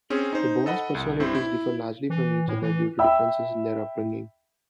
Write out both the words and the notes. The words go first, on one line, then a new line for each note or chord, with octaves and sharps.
The boys' personalities differ largely from each other due to differences in their upbringing.
C4 C#4 G#4
D#4 C5
A4 D#5 F#5 B5
C2
G2 C4 E4 C5
E4
E3
A2
E3
E5 G5 B5 E6